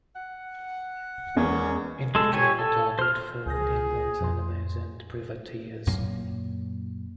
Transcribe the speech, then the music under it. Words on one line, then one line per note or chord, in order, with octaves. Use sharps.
It became a target for England's enemies, and privateers.
F#5
E2 G#3 A#3 C#4
G#3 A4
G4 C#5 G#5
A4
C5 F6
C#2 G#4 G6 A#6
F2 C6
F#2 A#2 A#3